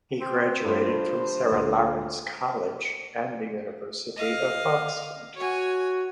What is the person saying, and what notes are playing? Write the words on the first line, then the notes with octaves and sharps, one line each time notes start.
He graduated from Sarah Lawrence College and the University of Oxford.
C4
G2 F4 C5
D2 A#2 F4
D#5 F5
F#4 C#5 G#5